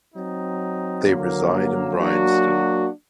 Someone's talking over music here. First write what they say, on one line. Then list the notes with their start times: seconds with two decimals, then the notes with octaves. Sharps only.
They reside in Bryanston.
0.13 F#3 C4 D#4
1.05 D3 F#3 A#3
1.98 F#3 A#3 D4 F#4